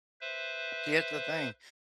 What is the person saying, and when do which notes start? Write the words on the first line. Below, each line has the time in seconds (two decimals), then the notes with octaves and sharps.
here's the thing.
0.21 B4 C5 E5